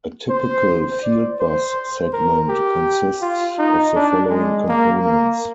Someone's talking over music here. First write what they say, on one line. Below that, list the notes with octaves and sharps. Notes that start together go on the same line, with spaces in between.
A typical fieldbus segment consists of the following components.
C5
D5
C5
A#4
G4
F4
D#4
D4
G#3
A#3
A#3